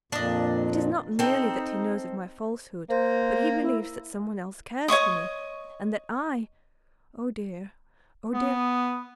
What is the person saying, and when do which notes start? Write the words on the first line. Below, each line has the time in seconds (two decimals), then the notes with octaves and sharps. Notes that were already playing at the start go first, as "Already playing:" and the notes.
It is not merely that he knows of my falsehood, but he believes that some one else cares for me; and that I---- Oh dear!--oh dear!
0.12 F2 A#2 D4 D#5
1.19 C4 D#4 A4
2.89 A#3 C5
3.61 E4
4.88 C#5 D#5 C#6 D#6
8.33 B3 B4 D#6